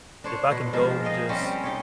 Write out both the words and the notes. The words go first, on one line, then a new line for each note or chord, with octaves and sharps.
if I can go and just
D4 C5 C#5
B2
F3 G#3 A#3
D#5 F5 G5
G3 C4 C#4 G4
D#4 G4 C#5